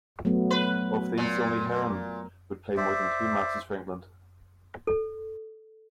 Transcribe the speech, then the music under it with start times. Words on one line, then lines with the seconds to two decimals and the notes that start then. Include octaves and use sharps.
Of these only Heron would play more than two matches for England.
0.25 F#3 A3 B3
0.51 B4
1.18 A#2
2.77 C5 D5 E5
4.87 A4